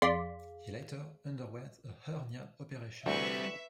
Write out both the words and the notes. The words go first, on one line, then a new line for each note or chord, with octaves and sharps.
He later underwent a hernia operation.
F2 G#4 D5 F5 C6
D2 E3 G3 C4 B4 E5 C#6